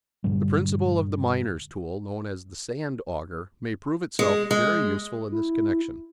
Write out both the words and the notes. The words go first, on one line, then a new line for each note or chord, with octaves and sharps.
The principle of the miner's tool known as the "sand-auger" may prove itself very useful in this connection.
G2 A#2 D3 G3
G#3
G#3
E4